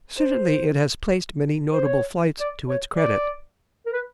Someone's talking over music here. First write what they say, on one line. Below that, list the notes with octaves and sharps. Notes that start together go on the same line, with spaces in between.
Certainly it has placed many notable flights to its credit.
C5
C5
C#5
D5
C#5
D5
A#4
B4